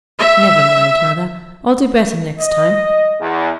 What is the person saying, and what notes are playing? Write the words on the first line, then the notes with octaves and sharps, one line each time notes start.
'Never mind, Mother; I'll do better next time.'
E5
D#5
E2